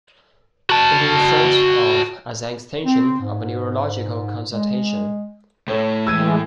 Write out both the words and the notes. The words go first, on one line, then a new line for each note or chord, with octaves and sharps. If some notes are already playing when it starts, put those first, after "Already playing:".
It is thought of as an extension of a neurologic consultation.
F#4 A5
C4
G#2
G#3
A2 A3 C#5
E3 G#3 E6 G#6 D#7